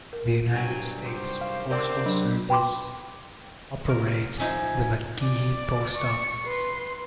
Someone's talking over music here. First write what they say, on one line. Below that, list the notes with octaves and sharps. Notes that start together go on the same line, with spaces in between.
The United States Postal Service operates the McGehee Post Office.
A#4
C2 G2 E3 F#3 G5 G#5
D#3 G4 C5
F5
D3 C4 A#4 D5 D6
F#3 D4
B4 G5 B5 C6 D6
A#4
F3 D#4 E5 G#5
D5
C#6 C#7
B4 C6 C7